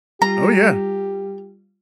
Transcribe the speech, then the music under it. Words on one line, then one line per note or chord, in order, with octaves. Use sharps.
Oh, yeah.
G3 F4 G4 A#5